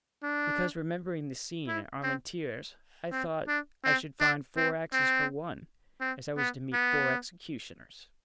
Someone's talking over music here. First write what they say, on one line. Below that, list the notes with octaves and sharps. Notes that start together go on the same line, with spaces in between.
"Because, remembering the scene at Armentieres, I thought I should find four axes for one, as I was to meet four executioners."
D4
E4
C4
C4
D4
C4
D4
C4
C4
C4
B3
B3